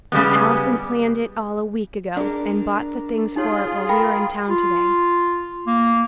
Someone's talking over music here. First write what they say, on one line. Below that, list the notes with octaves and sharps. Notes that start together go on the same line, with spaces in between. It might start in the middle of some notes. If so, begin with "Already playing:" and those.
Aunt Allison planned it all a week ago, and bought the things for it while we were in town to-day.
C#3 G3 G#3 B3
D4 G#4 A#4 D5
D#4 F4 G4 G#4 C#5
A#4 G5 B5
F4
A#3